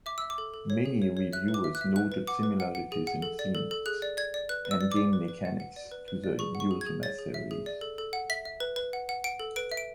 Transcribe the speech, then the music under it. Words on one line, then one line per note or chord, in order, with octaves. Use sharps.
Many reviewers noted similarities in themes and game mechanics to the "Ultima" series.
E5 D6
E5 E6
D6
A4
A4
C#5
G#4
C#5
C#5
E5 F#6
B4
D6
E5
F#6
E5
B4 F#6
B4
F#5 D6
B4
F#5
F#5
G#4
F#5
A4
D5
A4
A4
G#4 F#6
D5
D5 G#6
D5
B4 F#6
B4
E6
D5
D5 D6
B4
B4
F#5
F#5
D5
B4
B4
D5
G#4 C#6
F#5
C#6
G#4
G#6
G#4
C#5 A6
G#4
E5
G#4
D5
A4
A4
F#5
E5 B6
E5
B4
B4
F#5
F#5
F#5 D7
A4
B4 D7
E5
D7